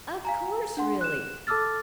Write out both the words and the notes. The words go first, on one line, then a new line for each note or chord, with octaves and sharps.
"Of course, really!"
F5 G#5 A#5
D4 F#5 C6
F#6 E7
A4 A5 D6 E6 F6 A6